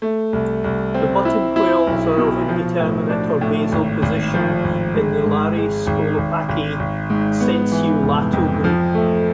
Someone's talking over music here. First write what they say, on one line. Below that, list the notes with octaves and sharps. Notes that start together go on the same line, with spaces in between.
The buttonquails are of indeterminate or basal position in the Lari-Scolopaci "sensu lato" group.
A3
C2
C2
C4
E4
E4
B1
B2
F3
A2
D4
A2
G#1
G#1
F3
G#1
G#3
G#2
G#3
G#1
G#1
G#1
G#1
G#2
B3
E3
F1
F2
F3
A3